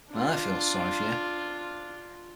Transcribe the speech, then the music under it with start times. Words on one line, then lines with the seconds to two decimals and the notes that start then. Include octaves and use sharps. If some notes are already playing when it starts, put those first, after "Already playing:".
I feel sorry for you.
0.11 D4 F4